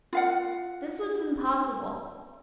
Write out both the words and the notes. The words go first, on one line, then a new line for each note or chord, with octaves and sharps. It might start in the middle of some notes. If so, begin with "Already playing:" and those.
This was impossible.
F4 F5 F#5